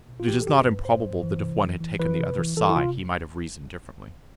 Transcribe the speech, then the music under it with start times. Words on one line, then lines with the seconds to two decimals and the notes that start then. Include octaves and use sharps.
But it is not improbable that if one had taken the other side, he might have reasoned differently.
0.08 B2
0.20 F4
0.28 E3 G4
0.42 A4
0.47 G2 G4
0.66 G2 B4
0.85 G2 C5
1.04 G2
1.23 E3
1.42 C3
1.62 E3
1.80 E3
2.00 E3 B4
2.19 C3
2.38 E3
2.57 E3 A4
2.69 E4
2.76 C3 F4